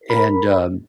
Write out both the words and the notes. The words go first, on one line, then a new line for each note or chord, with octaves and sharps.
and, um,
A#4 B5